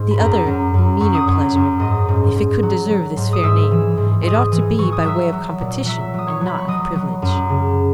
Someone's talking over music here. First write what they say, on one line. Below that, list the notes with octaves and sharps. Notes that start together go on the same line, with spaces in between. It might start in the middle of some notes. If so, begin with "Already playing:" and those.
The other and meaner pleasure, if it could deserve this fair name, it ought to be by way of competition, and not of privilege.
Already playing: G#2
B5
F#2 A#4 A#5
F#2
F#2
F#2 C#6
D#6
F#2 C#5 C#6
F#2
G#2 D#5 D#6
G#2
G#2
F#3
F#3
G#2
D#6
G#2 E5 E6
E3
G#2
G#2 D#5 D#6
E3
E3 C#6
D#6
F#3 E5 E6
F#3
A#2
F#3 E5 E6
F#3 D#6
C#5 C#6
F#3
B5
C#6
F#3 D#5 D#6
F#3
F#2
C#3